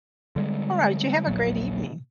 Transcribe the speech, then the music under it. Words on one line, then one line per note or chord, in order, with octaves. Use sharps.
All right, you have a great evening.
D3 G3 G#3
D#1 A#1 A#2 F#3